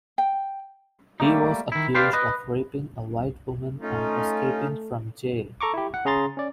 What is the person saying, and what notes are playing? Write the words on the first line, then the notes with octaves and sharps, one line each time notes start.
He was accused of raping a white woman and escaping from jail.
G5
G3 A3 A#3 D#4
D#3 E4
G4 B4 C5 D5 F5
B4 D#5
A3 C#4 D#4 F4
A4 A#5 C#6 D6
E4 G4
F#5
C#3 G#4 A#5 C6 A6
C#4 D5